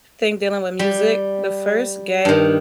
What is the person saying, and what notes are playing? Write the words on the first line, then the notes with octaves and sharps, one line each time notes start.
Think dealing with music. The first gadget
G3
G2 D#3